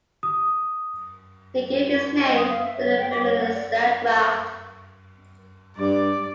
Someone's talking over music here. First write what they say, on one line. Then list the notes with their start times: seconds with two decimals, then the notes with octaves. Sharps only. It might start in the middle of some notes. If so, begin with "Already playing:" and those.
He gave his name to the Phemister graft.
0.23 D#6
2.24 D#5
2.37 D#6
2.49 F5
2.62 E5
2.77 C#5
2.98 G5
3.11 D6
3.23 C#5
3.39 F#5
3.53 D5
5.77 G2 D5